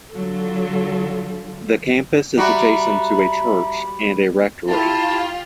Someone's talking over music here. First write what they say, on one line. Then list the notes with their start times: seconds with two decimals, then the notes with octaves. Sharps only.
The campus is adjacent to a church and a rectory.
0.14 D3 F#3 F4 A4
2.38 G3 F#4 E5 A#5 B5
4.69 E4 F4 G4 A5